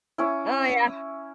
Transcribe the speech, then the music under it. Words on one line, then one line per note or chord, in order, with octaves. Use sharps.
Oh, yeah.
C#4 E4